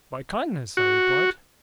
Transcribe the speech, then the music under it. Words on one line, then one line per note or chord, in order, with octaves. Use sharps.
"By kindness," I replied.
F#4